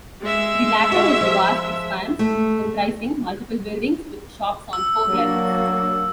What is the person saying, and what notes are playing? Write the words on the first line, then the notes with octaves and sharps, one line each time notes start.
The latter was a vast expanse, comprising multiple buildings with shops on four levels.
G#3 E5
F#4 D5 D#5
F3
A3
E6
F#3 A#3 D4 F#4